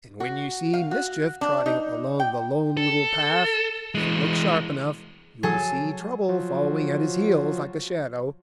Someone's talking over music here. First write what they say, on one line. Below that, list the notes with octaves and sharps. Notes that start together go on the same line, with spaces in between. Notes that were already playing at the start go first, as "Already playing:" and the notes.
And when you see Mischief trotting along the Lone Little Path, if you look sharp enough, you'll see Trouble following at his heels like a shadow.
F#4
F5
F#4
D4
D#4
G5
A4
E3 G#3
F#3 G#4 A4 A5
F3 F#3